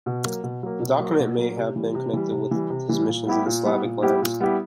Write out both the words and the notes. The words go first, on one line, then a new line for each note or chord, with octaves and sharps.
The document may have been connected with his missions in the Slavic lands.
B2
F#3 A#3
B2
F#3 A#3
B2
F#3 A#3
B2
F#3 A#3
C3
E3 G3
C3
E3 G3
C3
E3 G3
C3
E3 G3
A#2
G3 B3 E4 G4
A#2
G3 B3 E4 G4
A#2
G3 B3 E4 G4
A#2
G3 B3 E4 G4